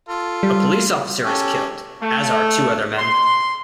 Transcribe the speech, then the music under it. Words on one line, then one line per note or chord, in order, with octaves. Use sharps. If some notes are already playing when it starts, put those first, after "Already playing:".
A police officer is killed, as are two other men.
F4 A4
G3
C#4 G4 A4
A3
C6